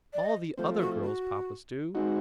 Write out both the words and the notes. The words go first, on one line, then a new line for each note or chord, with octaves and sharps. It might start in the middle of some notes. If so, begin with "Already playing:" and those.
"All the other girls' Papas do."
D5
D#5
F3 A3 C4 C5
F#4
F#4
G#3 C4 D#4 F#4